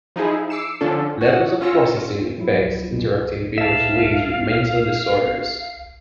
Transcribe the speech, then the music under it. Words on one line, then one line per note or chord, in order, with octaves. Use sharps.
Levels-of-processing effects interact in various ways with mental disorders.
F3 D#4 E4 G#4
D6 E6 C7 C#7 E7
D3 F3 C#4 D4 A4
F#4 F#5
C#4 F4 E6 A#6 C#7
F3 F#3 E4
E5 F5 A5